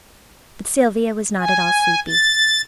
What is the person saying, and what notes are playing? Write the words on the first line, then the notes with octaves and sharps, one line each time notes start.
But Sylvia was not at all sleepy.
G#5
A6